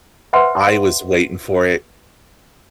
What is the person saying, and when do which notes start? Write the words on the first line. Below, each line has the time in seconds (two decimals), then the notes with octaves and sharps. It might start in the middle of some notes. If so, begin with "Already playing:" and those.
I was waiting for it.
0.33 B4 C5 D5 E5 F#5 C6